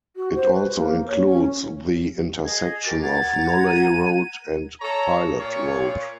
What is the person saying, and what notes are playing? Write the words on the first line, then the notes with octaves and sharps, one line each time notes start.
It also includes the intersection of Nolley Road and Pilot Road.
F#4
C5
B4
A#3
C#5
C#4
G#4 D#5 G#6
F#4 G4 A#4 A6
F#5 A#5 G#6
D#7
A4 C#5 A#5
A#2 C#5